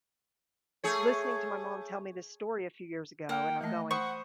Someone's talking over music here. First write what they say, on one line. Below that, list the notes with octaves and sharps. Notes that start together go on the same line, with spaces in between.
listening to my mom tell me this story a few years ago, and I'm going
A3 G#4 C#5
A#3 F#5 G5 F6
E3 A3 D#5
C5 F#5 B5 C#6 D#6